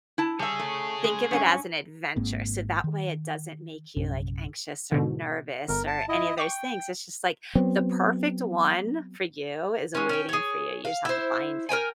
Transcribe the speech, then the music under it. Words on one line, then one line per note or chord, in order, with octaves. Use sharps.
think of it as an adventure. So that way it doesn't make you like anxious or nervous or any of those things. It's just like the perfect one for you is awaiting for you. You just have to find it.
E4 A5
G3 G#4 C#5 E5
A3
G#3
G2 C#4 G#5
G#1 G#2 A#3 C4
D#3
A#1 F#2 C3 C#4
G#2 B2 D3
G1 A#4
A5
E4 D#5
G5 C#6 D6
F#3 B3 C4
G#3 C#4
C#4 G5
G#4 C#5
F5
E4 C5
A#4 C5 G5 G#5